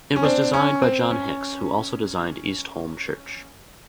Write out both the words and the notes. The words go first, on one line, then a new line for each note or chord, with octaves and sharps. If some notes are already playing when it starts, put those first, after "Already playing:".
It was designed by John Hicks, who also designed East Holme church.
C#4
C4 D4
C#4
C4
C#4